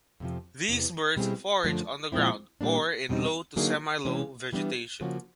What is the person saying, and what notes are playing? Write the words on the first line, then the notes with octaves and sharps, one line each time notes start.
These birds forage on the ground or in low to semi-low vegetation.
F2 C3 F3
E2 C3 E3
B2 G3 C4 E4 G#4
F#2 D3 F3 A3 D4
A#2 F3 G#3 C4 E4
A#2 G3 A#3 D4
E2 B2 G3 C4 D#4
D3 F#3 A#3 D#4 G#4
C3 E3 G#3 C#4
E3 G3 B3 D4
C#3 F3 A#3 C#4 F#4